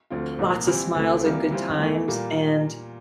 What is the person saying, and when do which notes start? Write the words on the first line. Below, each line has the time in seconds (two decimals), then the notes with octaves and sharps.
lots of smiles and good times, and
0.10 D2 D3 F3 C4 F4
0.39 C2 A#2 F3 A#3
0.67 E3 G3 C4 E4 G4
0.95 D2 C3 E3 A3 C4
1.23 C3 E3 G3 A#3 F4
1.51 E3 G3 C4 F4 C5
1.79 E2 E3 A3
2.08 A#2 G3 A#3